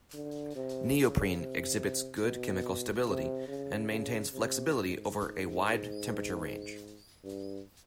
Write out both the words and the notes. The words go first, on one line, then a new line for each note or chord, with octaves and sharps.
Neoprene exhibits good chemical stability and maintains flexibility over a wide temperature range.
D3
C3
C#3
C3
B2
C3
C#3
C#3
C3
G#2
G2